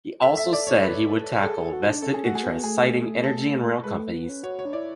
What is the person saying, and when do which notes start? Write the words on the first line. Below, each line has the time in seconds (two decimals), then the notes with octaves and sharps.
He also said he would tackle "vested interests", citing energy and rail companies.
0.22 A4 E5
0.37 E5
0.53 D5
0.67 C#5
0.83 B4
1.43 G#4 A4
1.58 G#4
1.73 F#4
1.88 D4
2.02 C#4 A4
2.14 G#4
2.23 A3 F#4
2.35 G#4
2.43 B3
2.63 A3 G#4
3.24 A4
3.84 G#3 B4
3.99 A3
4.14 B3
4.29 C#4
4.43 F#4 C#5
4.59 C#5
4.65 D4
4.73 E4 D5